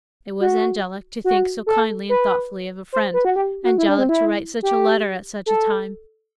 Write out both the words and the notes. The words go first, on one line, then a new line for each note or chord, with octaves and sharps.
It was angelic to think so kindly and thoughtfully of a friend--angelic to write such a letter at such a time.
F#4
F#4
A4
B4
C5
B4
F#4
G4
F#4
E4
D4
C4
E4
G4
A4